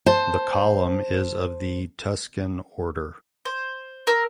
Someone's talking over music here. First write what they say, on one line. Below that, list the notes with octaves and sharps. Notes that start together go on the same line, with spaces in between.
The column is of the Tuscan order.
C5 A5
C5
A#4 E6